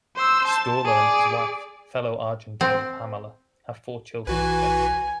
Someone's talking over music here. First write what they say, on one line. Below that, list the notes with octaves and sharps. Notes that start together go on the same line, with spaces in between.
Scola and his wife, fellow Argentine Pamela, have four children together.
C5 E6
A5
G#4 D5
C4
B1 E3 F#4 B4 G#5